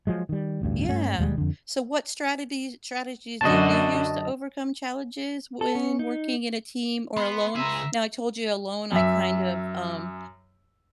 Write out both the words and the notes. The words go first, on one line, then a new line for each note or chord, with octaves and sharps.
yeah, so what strategies strategies do you use to overcome challenges when working in a team or alone? Now, I told you alone, I kind of, um,
F3 F#3 G#3
D#3 G3
A1 D2 G2
G2 A3 C#4
E1 D#2 G3 G#3
F2 D3
F#2 D3 F#3 D#5 A5
A4
C#4
D#4
B3 B5 C6
C#2 G#4 E5 A#5
F#2 E5